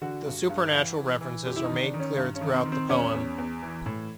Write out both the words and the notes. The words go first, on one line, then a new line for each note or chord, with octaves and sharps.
The supernatural references are made clear throughout the poem.
D3 F#4
G2
G2
E3
E3
E3
F#2 G4
E4
D#4
D#3
D4
D#3
C#4
G2
C#4
D#3
C4
D#3
C4
E2 C#4
E2
E2
E3
A2